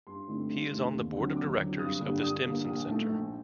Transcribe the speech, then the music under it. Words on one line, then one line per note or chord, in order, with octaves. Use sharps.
He is on the Board of Directors of The Stimson Center.
G2 C6
D3 A3 C4 D#4
G2
D3 A3 C4 D#4
D#2
D3 F#3 C4
D#2 D6
D3 F#3 C4
G2 D#6
D3 G3 A#3
G2 D#6
D3 G3 A#3
A#1
A#2 A3 D#4
A#1